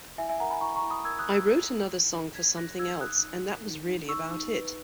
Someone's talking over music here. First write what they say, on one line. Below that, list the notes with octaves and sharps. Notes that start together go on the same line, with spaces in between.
I wrote another song for something else and that was really about it.
E4 E5 G#5
E5 G#5
A#4 F#5 A#5
G#5 B5
E4 A#5 C#6
A#5 C#6
E4
B5 D#6
A#4 E6 G#6
D#6 F#6
A#4
E6 G#6
E4
E4
D#4
D#4
C#5 G#6 B6
C#5 F#6 A#6
D#4 E6 G#6
D#4 D#6 F#6
D#4
A#4
D#4
D#4
D#4 C#6 E6
D#4
B4